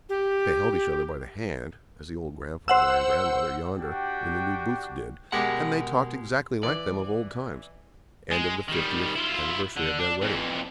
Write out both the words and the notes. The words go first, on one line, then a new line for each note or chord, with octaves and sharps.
They held each other by the hand, as the old grand-father and grand-mother yonder in the New Booths did, and they talked exactly like them of old times, and of the fiftieth anniversary of their wedding.
G4
C5 F#5 E6
D4 F#4 G4 G5
B2 G#3 G4 A#4 F#5
E3 D5
G#3
D#3 G3
E4 F4
D3
D4
F2 E3